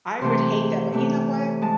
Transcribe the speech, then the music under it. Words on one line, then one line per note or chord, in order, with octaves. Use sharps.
I would hate that, but you know what?
C3 E3 A3 C6
C3 E3 A3
G#3 A5